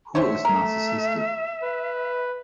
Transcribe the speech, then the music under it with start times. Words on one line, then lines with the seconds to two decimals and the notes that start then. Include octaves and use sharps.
Who is narcissistic?
0.15 D3 C4 C5 C#5 E5
0.45 A3 A#4
1.63 B4